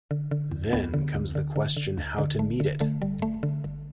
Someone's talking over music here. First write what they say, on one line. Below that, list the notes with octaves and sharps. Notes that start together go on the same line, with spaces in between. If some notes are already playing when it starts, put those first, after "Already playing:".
Then comes the question how to meet it.
D3
D3
E2
D2 B3
D3
D2
D3
D3
D3
D2
D3
G1 A3
D3
D3 A3
G1 G3
G1 A3
D3
G1